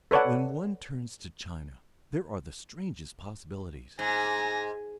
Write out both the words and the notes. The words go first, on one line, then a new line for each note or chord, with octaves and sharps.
But when one turns to China there are the strangest possibilities.
A4 B4 C#5 D5 F#5
G#2 G#5 A#6